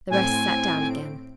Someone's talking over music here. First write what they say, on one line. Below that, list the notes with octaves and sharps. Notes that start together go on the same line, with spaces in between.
The rest sat down again.
A2 C4 G#5 D7